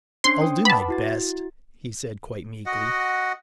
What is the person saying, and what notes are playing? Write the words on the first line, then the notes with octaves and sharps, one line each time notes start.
"I'll do my best," he said, quite meekly.
C#4 D4 C5 C6
G5 D#6
B4 F#5 A5 B5 D6
E4 F#4 A6
F#4 D#5 F#5